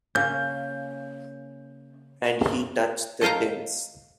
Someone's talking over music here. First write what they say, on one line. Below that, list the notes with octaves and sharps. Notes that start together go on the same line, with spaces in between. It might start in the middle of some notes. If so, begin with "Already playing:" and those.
And he touched the tins.
C#3 A#3 C#4 G6
A4 D#5 F5 G5 A#5